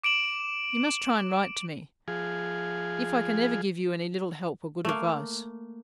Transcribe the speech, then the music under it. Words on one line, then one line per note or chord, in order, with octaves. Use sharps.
You must try and write to me, if I can ever give you any little help or good advice.
D6 D7 E7 F#7
F3 G#4
A3 A#3